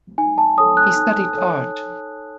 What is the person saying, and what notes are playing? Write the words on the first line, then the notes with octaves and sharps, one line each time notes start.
He studied art.
D#4 G#5
A5
A4 C#5 D#6
F#6
D#4
A4 C#5